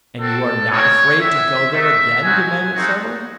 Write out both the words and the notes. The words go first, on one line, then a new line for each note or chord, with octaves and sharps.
"And you are not afraid to go there again?" demanded several.
C4 F#4 A4
C4 D#4 F#4 C#5
C4 F#4 E5
A3 D#4 F#4 E5
G#3 C4 D#4 F#4 G#5
A3 C4 D#4 F#4